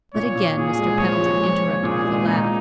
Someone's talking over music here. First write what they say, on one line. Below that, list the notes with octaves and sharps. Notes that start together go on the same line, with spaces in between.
But again Mr. Pendleton interrupted with a laugh.
A#2 C#5
A#2
A#2 G#4
G#3
F3 C#5
G#3
F3
A#2
A#2 G#4
G#3
A#2 D#4